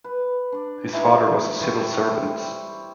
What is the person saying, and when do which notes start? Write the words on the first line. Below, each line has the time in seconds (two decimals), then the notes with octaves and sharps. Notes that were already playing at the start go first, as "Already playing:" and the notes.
His father was a civil servant.
0.04 B4
0.52 D4 D5
0.93 E3 F#3 D#4 E4
1.61 E4 C5 C#5 G5
2.25 G3